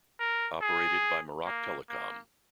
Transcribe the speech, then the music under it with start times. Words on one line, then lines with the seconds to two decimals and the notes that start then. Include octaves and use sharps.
Operated by Maroc Telecom.
0.20 A#4
0.62 G#4
1.46 A#3
1.89 A#3